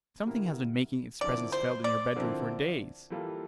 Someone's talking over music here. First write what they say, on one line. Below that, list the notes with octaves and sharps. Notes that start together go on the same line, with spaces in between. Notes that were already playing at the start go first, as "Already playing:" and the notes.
Something has been making its presence felt in your bed-room for days.
D3 G3 A#3 E4 A#4
D3 F3 C4 E4 A#4 D5
C5
D5
D3 F3 C4 E4 A#4
E3 G3 A#3 F4 A4